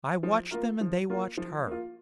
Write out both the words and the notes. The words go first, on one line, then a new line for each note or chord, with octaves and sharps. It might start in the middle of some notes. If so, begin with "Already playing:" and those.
I watched them and they watched her.
F3
A#3 F4 A#4
F3
A#3 F4 A#4
F3
A#3 F4